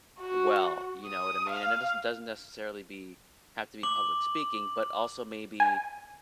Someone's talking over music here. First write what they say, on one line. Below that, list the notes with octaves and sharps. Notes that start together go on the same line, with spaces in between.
well, you know what I mean, and it doesn't doesn't necessarily be have to be public speaking, but also maybe,
F#4
D#6
F5
D6 F#7
G#5